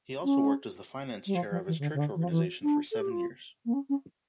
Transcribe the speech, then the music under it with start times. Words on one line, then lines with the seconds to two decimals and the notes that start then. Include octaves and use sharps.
He also worked as the finance chair of his church organization for seven years.
0.24 C#4
1.26 G3
1.35 F3
1.51 F3
1.67 E3
1.79 C#3
1.82 D3
1.94 C#3
1.99 D3
2.15 E3
2.23 F3
2.30 E3
2.63 D4
2.92 A4
3.00 G4
3.11 F4
3.65 A#3
3.73 C#4
3.89 C#4